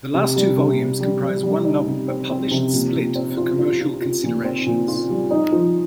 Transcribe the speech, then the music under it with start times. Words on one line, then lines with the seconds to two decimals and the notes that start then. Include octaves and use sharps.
The last two volumes comprise one novel, but published split for commercial considerations.
0.14 C3
0.36 G3
0.58 C3
0.79 C3
1.00 G3
1.22 G3
1.43 G3
1.65 D#4
1.87 C3
2.08 C4
2.29 C4
2.51 C3
2.73 A#2
2.95 A#2
3.15 C4
3.37 F4
3.59 F4
3.80 F4
4.02 F4
4.23 A#2
4.44 C4
4.66 A#2
4.88 F4
5.10 G3
5.31 D#4
5.52 F3